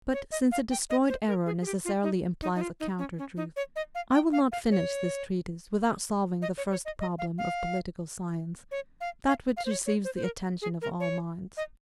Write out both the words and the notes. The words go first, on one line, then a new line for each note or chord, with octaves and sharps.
But, since a destroyed error necessarily implies a counter-truth, I will not finish this treatise without solving the first problem of political science,--that which receives the attention of all minds.
C#5
D#5
F5
G5
D#5
C5
A#4
G#4
G#4
G4
F4
D#4
D#4
D#4
F4
D#4
C#4
C#4
D#4
C#5
D#5
F5
G5
F5
F5
C#5
D#5
C#5
C#5
D#5
D#5
F5
F5
C#5
F5
F5
F5
C5
C#5
C#5
C5
C5
A#4
G#4
A#4
C#5
D#5